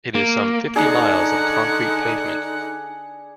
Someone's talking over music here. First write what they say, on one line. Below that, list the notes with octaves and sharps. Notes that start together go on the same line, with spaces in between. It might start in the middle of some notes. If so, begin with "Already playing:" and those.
It is some fifty miles of concrete pavement.
A#3
D3 D4 D#4 G#4 F#5 A#5